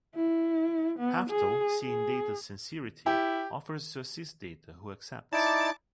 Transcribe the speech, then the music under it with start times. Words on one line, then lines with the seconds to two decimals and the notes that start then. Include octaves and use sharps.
Haftel, seeing Data's sincerity, offers to assist Data, who accepts.
0.16 E4
0.99 B3
1.30 G#4
1.82 G#4
3.06 E4 G4
5.33 D#4 E4 D5 A5 D6 A6